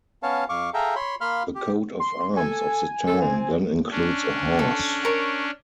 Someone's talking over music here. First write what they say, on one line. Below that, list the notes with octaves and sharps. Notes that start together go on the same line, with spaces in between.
The coat of arms of the town then includes a horse.
B3 C#4 C#5 F5 A5
F2 F5 C#6 D6
G#4 A4 E5 F5 G5 A#5
C#5 B5 C6
A#3 F5 B5 C6 F6
G4
C6
A4 G#5
A4
C4
C#4 D4
A4
A#4 C#5